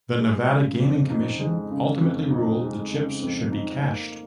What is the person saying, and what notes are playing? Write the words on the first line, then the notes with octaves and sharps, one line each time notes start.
The Nevada Gaming Commission ultimately ruled the chips should be cashed.
G#3
C#3
F2
D#4
G#3
C#3
F2
D#4
G#3
C#3
F2
D#4
A#3